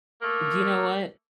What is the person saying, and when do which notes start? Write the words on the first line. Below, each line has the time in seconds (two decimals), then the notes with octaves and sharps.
Do you know what?
0.22 A3 A#3